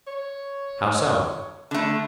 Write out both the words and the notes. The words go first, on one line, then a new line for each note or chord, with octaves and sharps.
"How so?"
C#5
D3 A3